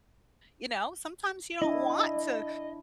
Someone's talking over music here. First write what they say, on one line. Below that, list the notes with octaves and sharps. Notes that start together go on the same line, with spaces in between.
you know, sometimes you don't want to
D4 E4 D#5